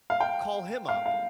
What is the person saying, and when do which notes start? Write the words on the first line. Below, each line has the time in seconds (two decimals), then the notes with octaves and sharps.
Call him up
0.10 F5
0.20 G5
0.88 F5
1.06 F5